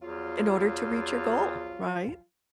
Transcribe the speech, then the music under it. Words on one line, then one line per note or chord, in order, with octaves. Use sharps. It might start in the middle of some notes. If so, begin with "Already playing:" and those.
In order to reach your goal, right?
E2 F3 F#3 F4